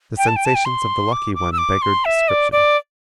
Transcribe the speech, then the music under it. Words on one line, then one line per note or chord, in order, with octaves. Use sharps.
The sensations of the lucky one beggared description.
G5
A5
G5
A5
G5
C6
D6
D6
E6
D6
C6
E5
D5
D5